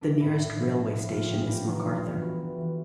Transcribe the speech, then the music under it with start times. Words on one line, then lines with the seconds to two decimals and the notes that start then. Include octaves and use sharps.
The nearest railway station is Macarthur.
0.01 A3 D4
0.21 A2 E4
0.39 A2
0.56 F3
0.75 A3
0.94 A2
1.11 A2 F4
1.23 G4
1.30 F3
1.36 G#4
1.47 B3 G4
1.61 D4
1.66 E3
1.72 D#4
1.84 E3 F4
2.03 G3
2.21 B3 F#4
2.39 E3
2.58 E3